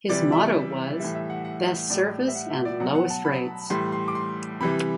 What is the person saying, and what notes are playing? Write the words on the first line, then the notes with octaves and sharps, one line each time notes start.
His motto was "best service and lowest rates".
C3 E3 G3 D5
E5
A2 E3 G3 E5
E5
F#5
F#5
A2 G3 D5
E5
F#5
E5
D5
B2 F#3 F#5
F#5
A5
B5
A2 E3 G3 C6
C6
D6
C6
C3 E3 G3 B5